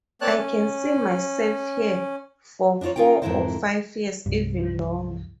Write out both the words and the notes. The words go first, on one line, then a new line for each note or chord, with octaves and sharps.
I can see myself here for four or five years, even longer.
A#3 C4 C#5 D5 A5 F#6
C#4
D4 D#4 F4 C5 C#5
C#4 D#4 F4 A#4 G5
F2 G#2 D3 E4 A#4 C5
C2 G2